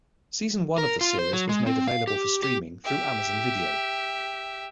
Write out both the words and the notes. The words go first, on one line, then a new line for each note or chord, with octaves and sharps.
Season one of the series was made available for streaming through Amazon Video.
A#4
F4
C5
F#3
G#3
C4
F5
G4
G4
G4 E5